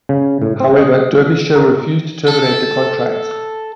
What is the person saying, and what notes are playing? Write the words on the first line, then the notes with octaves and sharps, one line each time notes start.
However Derbyshire refused to terminate the contract.
C#3
A2
C4
D#5
A#4
A4